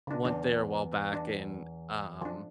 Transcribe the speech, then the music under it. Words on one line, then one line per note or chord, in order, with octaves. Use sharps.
went there a while back, and, um,
C#3 D4
E2 D4
D4
F3 D4